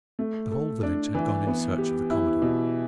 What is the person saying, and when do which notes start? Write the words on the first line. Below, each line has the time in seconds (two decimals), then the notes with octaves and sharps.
The whole village had gone in search of the commodore.
0.19 A3
0.51 A4
0.83 D4
1.15 E3
1.47 B3
1.78 G4
2.10 E4
2.42 B2